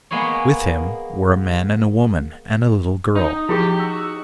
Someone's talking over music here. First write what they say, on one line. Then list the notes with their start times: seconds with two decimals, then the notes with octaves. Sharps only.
With him were a man and a woman, and a little girl.
0.11 G#3 A#3 B3 G#4 C#5
3.15 D#4
3.49 F3 E4 G4 G#4 D6
3.80 F#4 E6